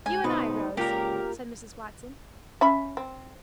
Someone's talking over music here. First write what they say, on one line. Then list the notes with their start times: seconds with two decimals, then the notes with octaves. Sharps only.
"You and I, Rose," said Mrs. Watson.
0.06 G#2 G#5
0.24 D2 B2 D#4 B4 C5
0.77 C#2 A#3 F4 G4 A#4
2.61 C#4 E5 B5
2.97 C4